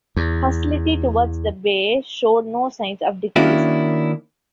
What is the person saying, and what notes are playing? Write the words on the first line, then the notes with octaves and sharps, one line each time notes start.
Hostility towards the Bey showed no signs of decreasing.
E2
D#3 A#3 C#4 D4 E4 F#4